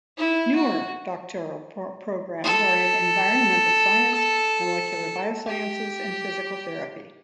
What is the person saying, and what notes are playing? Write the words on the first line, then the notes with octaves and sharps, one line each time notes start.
Newer doctoral programs are in environmental science, molecular biosciences and physical therapy.
E4
F#4
A4
G4